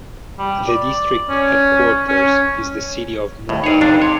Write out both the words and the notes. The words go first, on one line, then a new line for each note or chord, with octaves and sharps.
The district headquarters is the city of Mutare.
G3
D5
C#4
C#4
D#2 A2
D#4 G#4 C#5
F2 C3 D4
C#5 C6